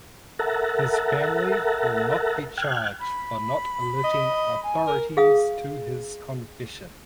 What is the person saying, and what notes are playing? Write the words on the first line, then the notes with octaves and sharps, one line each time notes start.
His family will not be charged for not alerting authorities to his confession.
A4 A#4 E5 F#5 A5 A#5
G5 F6 F#6 G#6
B5
D#5
G#5
A#4
G#4 F5 D#6